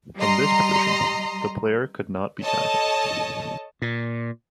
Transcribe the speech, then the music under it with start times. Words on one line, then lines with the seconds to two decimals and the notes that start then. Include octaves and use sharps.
From this position the player could not be tackled.
0.17 G3 D#5 A#5 C6
2.41 A4 C#5 D#5 A5
3.82 A#2